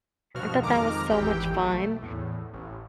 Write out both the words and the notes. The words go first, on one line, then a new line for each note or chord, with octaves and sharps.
I thought that was so much fun,
G2 B2 F3 F#4 F6
F2 D#3 G#3 A#5 D6 F6
G#1 E2 E3 G4 G5
B1 A3
E2 A2
A1